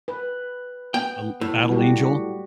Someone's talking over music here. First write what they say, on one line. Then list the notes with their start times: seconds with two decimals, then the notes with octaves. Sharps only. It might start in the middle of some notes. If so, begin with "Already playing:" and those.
Uh, l a battle angel,
0.08 B4
0.94 B3 G5
1.41 A2
1.70 G3 F#4 G4